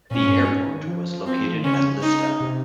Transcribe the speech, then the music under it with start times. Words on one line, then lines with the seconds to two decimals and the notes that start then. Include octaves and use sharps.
The airport was located at Lista.
0.11 A#2 C#4
0.25 G#2
0.31 G2
0.49 G#2
0.59 A#2
0.68 D#3
0.79 D#3
0.87 F3
1.26 C4
1.46 F3
1.55 D#3
1.64 C#3 C#4
2.02 D#4
2.40 C3